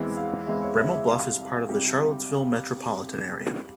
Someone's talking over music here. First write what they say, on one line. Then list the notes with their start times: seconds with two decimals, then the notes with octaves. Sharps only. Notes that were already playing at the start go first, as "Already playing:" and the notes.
Bremo Bluff is part of the Charlottesville metropolitan area.
Already playing: E2 E3 G#3 C4 E4
0.17 F5
0.47 E2 E3 G#3 C4 E4 E5
0.62 C#5
0.77 E5
0.93 E5
1.07 C2 C3 G3 F5
1.69 C3 G3 G4